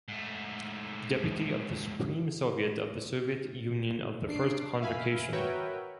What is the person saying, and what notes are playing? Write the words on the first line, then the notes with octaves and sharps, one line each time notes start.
Deputy of the Supreme Soviet of the Soviet Union of the First Convocation.
G#2 A3
D4 C7 D7
E5 F5 G#5 B5
F#4 A#4 B4 C#5 E5 G5